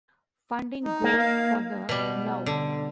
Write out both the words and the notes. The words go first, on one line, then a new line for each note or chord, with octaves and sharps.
Funding goals for the Now!
D#4
A#3
F5
B2 G3
D3